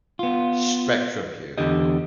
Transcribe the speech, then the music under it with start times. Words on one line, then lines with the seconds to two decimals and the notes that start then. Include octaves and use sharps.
sh spectrum here, if you will,
0.19 B3 F4
1.58 E2 D3 G4 D#5